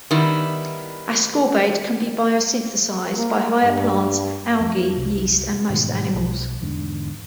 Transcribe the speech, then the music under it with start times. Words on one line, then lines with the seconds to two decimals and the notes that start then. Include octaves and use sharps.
Ascorbate can be biosynthesized by higher plants, algae, yeast and most animals.
0.11 D#3 G3 B3 E4
3.17 A#3
3.64 G2
4.60 F2
4.97 F1 C2
5.70 G#2 B2 D#3 E3
6.13 B1
6.62 E2 G#2 D3